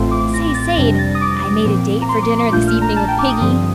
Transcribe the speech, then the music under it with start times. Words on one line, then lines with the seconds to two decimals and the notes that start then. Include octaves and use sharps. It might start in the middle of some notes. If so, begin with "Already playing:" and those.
"Say, Sade, I made a date for dinner this evening with Piggy."
Already playing: A1 A2 A3 C4 F4 C6
0.11 D6
0.34 A#6
0.54 A6
0.76 F2 C3 G3 D4 A#6
0.99 A6
1.15 D#6
1.21 D6
1.65 A#2 F3 C4
2.02 A#5
2.09 C6
2.23 D6
2.38 D6
2.52 A#1 A#2 A3 D4 F4 G6
2.67 F6
2.81 A#5
2.96 A5
3.08 G5
3.19 D6
3.29 D#6
3.40 G2 D3 F3 C4 D#6